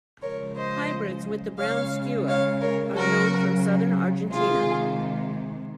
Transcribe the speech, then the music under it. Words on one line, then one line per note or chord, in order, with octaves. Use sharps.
Hybrids with the brown skua are known from southern Argentina.
C#3 F3 G#3 A#4 C#5
C5 D#5
C#3 G#3 C#5 F5
C#5 F5
A#4 C#5
C#3 F#3 F#4 A#4
C3 D#3 G#3 F4 G#4